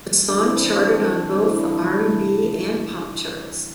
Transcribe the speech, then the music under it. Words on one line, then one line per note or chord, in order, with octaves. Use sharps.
The song charted on both the R and B and pop charts.
E3 G3 A#3
D4
E4
C3 E3 A#3 C4
D4
C4
D4
E3 G3 A#3 C4
D3 G3 A#3 C4
D4
E4
D4
C3 E3 G3 E4
C3 F3 A#3
C3 E3 A3